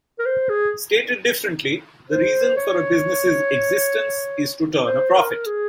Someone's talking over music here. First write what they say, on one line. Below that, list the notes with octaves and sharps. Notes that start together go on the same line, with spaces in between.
Stated differently, the reason for a business's existence is to turn a profit.
A#4
C5
G#4
C5
C#5
C5
A#4
G#4